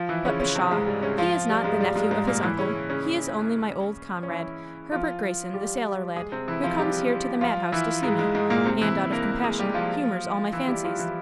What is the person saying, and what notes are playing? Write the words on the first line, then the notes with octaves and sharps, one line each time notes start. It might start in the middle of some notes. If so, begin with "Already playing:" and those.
But, pshaw! he is not 'the nephew of his uncle;' he is only my old comrade, Herbert Greyson, the sailor lad, who comes here to the madhouse to see me, and, out of compassion, humors all my fancies.
Already playing: F3 F4
E3 E4
C#3 C#4
C#3 C#4
C3 C4
G#2 G#3
G3
C#3 C#4
F3 F4
G3
G#2 G#3
G3
G#2 G#3
G#2 G#3
A#2 A#3
E3 E4
C#3 C#4
C#3 C#4
C#4
E3 E4
F3 F4
G3 G4
G#3 G#4
C3 C4
E3 E4
F3 F4
G3 G4
F3 F4
E3 E4
G#2 G#3
G#2 G#3
G#2 G#3
A#2 A#3
C3 C4
E3 E4
A#3 A#4
G#3 G#4
G3 G4
F3 F4
E3 E4
G3 G4
F3 F4
E3 E4